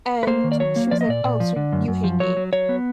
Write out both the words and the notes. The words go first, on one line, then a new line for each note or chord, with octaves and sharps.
And she was like, "Oh, so you hate me."
B4
A#3 C5
D#3
D5
F#3 C#5
A#3
F3 D5
D#5
A#2 D5
A#2
F3
D3
F#2
F#2
F3
F#3 C#5
F#3
F#3 C#5
B3